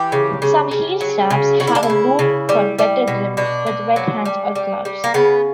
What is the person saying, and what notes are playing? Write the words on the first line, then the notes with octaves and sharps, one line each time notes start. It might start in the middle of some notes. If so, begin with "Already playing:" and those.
Some heel straps have a loop for better grip with wet hands or gloves.
Already playing: E3 G4
C#3
C#3
C#3
F#3
C#3
C#3 F#4
E4
D4
E4
C#3
C#3
G3
G3
B2
B2 D4
B2
F#3
G3
G3
G3
A#3
C#3 B3